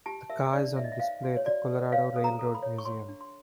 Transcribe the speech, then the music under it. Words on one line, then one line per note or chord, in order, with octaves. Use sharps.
The car is on display at the Colorado Railroad Museum.
G4 A5
A#4 E5
D#4 D5
C#5 E5
D#5
E5
C5 F5
F#4
C#5
F#4 D5
A4
C#5 F5
A4
A#5
A4
B5
C#5
C#6
C#5 C6
D4
C6